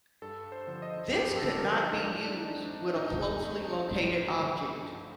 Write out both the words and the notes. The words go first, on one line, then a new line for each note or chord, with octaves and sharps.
This could not be used with a closely located object.
G2 A4
C5
D3 F3
D#5
G2 G4
A4
D3 F3 A#4
D#4
A2 D4
D4
D#4
A3 C4
D4
A2 D#4
A3 C4
G2
D3 F3 A3
G2